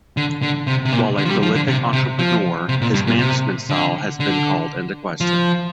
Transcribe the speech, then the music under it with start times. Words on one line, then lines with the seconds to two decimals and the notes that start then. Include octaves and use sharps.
While a prolific entrepreneur, his management style has been called into question.
0.17 D3
0.42 D3
0.67 C3
0.85 C3
0.92 A#2
1.18 D3
1.26 F3
1.30 G3
1.43 F3
1.55 D3
1.68 C3
1.93 C3
2.19 F3
2.69 C3
2.81 A#2
2.94 G2
3.07 A#2
3.19 C3
3.70 D3
4.20 D3
5.21 F3